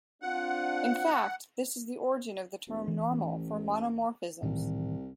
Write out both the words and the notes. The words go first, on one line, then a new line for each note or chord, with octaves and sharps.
In fact, this is the origin of the term "normal" for monomorphisms.
C4 D4 F4 F#5
E1
E3
A1
C2 A2 D#3 E3